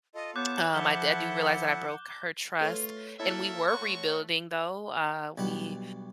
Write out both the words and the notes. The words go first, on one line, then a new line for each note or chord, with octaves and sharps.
Um, I di I do realize that I broke her trust, and we were rebuilding though, uh, we
F4 A4 D#5
B3 C#5 D6 F#6 G6
F3 E4 A4 E5 F#5 G7
A3 F4 A4 B4 C#5
A#3 E4 A4 A#4 C#5 E5
A3 F#4 C#5 C6 C#6 F#6
B1 G3 D4 F#5